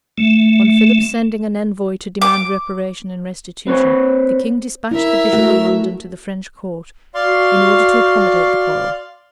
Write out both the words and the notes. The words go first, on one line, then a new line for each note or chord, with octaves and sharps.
On Philip's sending an envoy to demand reparation and restitution, the king despatched the bishop of London to the French court, in order to accommodate the quarrel.
A3
D6
C4 B4 C#5
E4 A#4 E5
A3 F#4
F#4 D5 F5 C6